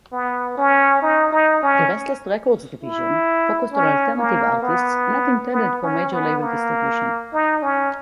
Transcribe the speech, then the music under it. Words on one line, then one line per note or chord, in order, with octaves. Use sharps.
The Restless Records division focused on alternative artists not intended for major label distribution.
B3
C#4
D#4
D#4
C#4
E4
C#4
A#3
B3
B3
C#4
B3
A#3
D#4
C#4